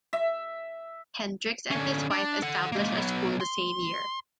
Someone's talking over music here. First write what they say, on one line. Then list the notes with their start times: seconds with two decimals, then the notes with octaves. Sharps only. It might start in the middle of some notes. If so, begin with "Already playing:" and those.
Hendrix and his wife established a school the same year.
0.13 E5
1.71 D3 C#4
2.11 D4
2.42 A4 F#5
2.72 G#3 A#3
2.95 F#3 B3
3.40 C6